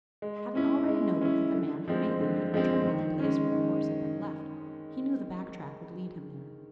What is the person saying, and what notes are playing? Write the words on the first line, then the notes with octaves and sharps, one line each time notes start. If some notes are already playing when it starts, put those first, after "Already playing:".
Having already noted that the man who made them had returned to the place where the horse had been left, he knew the back track would lead him there.
G#3
C#4 E4
G#3
C#4 E4
D3
F3 G#3 C4
D3
F3 G#3 C4
D#3
G#3 C#4
D#3